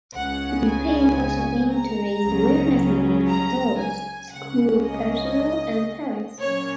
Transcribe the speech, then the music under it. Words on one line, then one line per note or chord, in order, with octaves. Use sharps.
The campaign also aimed to raise awareness among adults, school personnel, and parents.
C#2 C#3 G#3 C#4 F#5
G#5
A#5
C#2 C#3 F#3 C#4
A#5
G#5
C#2 C#3 A#3 C#4 F#5
D#5
A#2 F#3 A#3 C#4 C#5